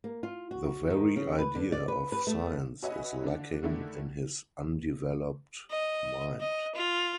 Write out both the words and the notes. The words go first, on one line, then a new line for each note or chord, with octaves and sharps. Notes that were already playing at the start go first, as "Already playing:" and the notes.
The very idea of science is lacking in his undeveloped mind.
A#3
F4
F#4
D#3
C#3
B4
D3
D5
B4
B4
A3
F#4 B4 C#5 D#5 E5 G#5
D3 D4
D3 D#3 A3 D4 E4
D#5
D#5
F4